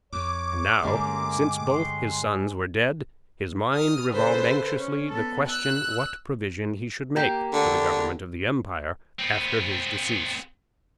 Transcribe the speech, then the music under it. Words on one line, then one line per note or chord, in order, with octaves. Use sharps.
And now, since both his sons were dead, his mind revolved anxiously the question what provision he should make for the government of the empire after his decease.
F2 C#5 D6
G2 D3 G#3 A#3 C#4 G4
C6
D#6 F6
C#3 A4 B4 C5
C#4
B3 A4
E6 F#6
A#3 G4
D3
B3 C4